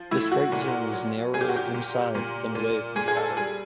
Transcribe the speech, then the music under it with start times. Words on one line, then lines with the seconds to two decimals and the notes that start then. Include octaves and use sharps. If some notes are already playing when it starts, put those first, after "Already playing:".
The strike zone is narrower "inside" than away from the batter.
Already playing: F3
0.11 A2 E4
0.32 F#4
0.52 A#2
0.93 F#3
1.34 A#2 G#4
1.41 G4
1.49 F#4
1.56 G4
1.74 A#2
2.15 A#2
2.55 A#2
2.96 A#2 G#4
3.08 G#4
3.17 A4
3.37 G3 G#4